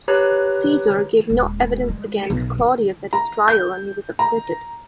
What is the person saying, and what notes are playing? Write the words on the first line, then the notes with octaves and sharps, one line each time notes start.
Caesar gave no evidence against Clodius at his trial, and he was acquitted.
G4 B4 C#5 A#5 F#6
D#1 G#3
G3 G#3
B1 B2
B3
A#5
G6
A#5